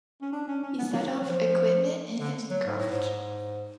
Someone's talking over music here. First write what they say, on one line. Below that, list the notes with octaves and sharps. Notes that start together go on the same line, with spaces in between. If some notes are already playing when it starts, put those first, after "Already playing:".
He set up equipment in his garage.
C#4
D4
C#4
C#4
B3
F#3
F#3
F3
D3
F#3
G#2
A2
G#2